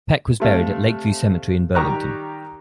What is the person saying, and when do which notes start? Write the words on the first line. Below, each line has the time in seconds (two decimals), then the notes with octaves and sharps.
Peck was buried at Lakeview Cemetery in Burlington.
0.40 C3 A3 F5
1.75 D#3 G3 G4 A#5 C#6 F#6